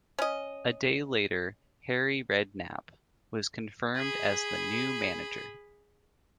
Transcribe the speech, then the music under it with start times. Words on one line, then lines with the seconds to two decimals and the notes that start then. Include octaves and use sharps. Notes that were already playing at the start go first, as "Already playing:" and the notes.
A day later, Harry Redknapp was confirmed as the new manager.
0.19 C#4 D#5
3.96 G#4 B5